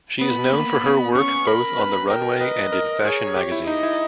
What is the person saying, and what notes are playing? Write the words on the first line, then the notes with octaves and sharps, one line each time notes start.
She is known for her work both on the runway and in fashion magazines.
B3 B5
A#3
B3
C#4 C#6
A#4 B5
B4
A#4 G5
B4 D#5
A#4
G#4 C#5
G4
E4
D#4 D#5
E4